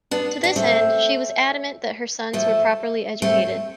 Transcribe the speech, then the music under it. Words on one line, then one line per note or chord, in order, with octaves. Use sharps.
To this end, she was adamant that her sons were properly educated.
B3 D4
D4
A3 C4
F3 A3
A3 C4